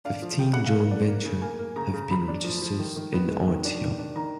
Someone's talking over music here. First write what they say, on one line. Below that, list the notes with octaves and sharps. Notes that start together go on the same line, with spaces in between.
Fifteen joint ventures have been registered in Artyom.
D4 F5
F3
C#3 G5
C#3 F#5
F5
A#3
F#5
D4
A#3
C#3
A#3 G#5
A#3
C#3 A#5
C#3
F3 B5
D4
F3
F3
D#3
D#3
B3
G#3
D#3
D4
D#3
D4
D#3 A#5